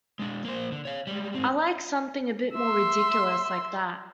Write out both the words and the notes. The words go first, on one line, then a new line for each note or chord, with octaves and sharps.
I liked something a bit more ridiculous like that.
G#3 D4
A#3 C5
D3
C#5 F5
G3 G#3
G#2 C4
E5 C6